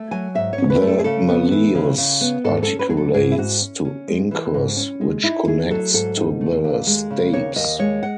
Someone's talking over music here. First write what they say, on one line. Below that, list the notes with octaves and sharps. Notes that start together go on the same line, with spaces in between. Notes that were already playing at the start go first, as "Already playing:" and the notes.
The malleus articulates to incus which connects to the stapes.
Already playing: A3
F#3 G#5
G#2 E5
C#5
C#4
B4
A3
A4
G#4
C#3 A4
B3
E3
C#3
C#3
B3
G#2 A4
C#4 A4
B4
F#3 G#4
A4
G#2 G#4
E4
G#2 F#4
C#4
C#4
G#3
E3
G#2
C#4
G#3
D#4 E4
A3 G#4
F#3 A4
G#2 A4
D#4
A3
D#2
G#3
C#3
D#2 C#5
D#2 D#5
G#3 C#5
F#5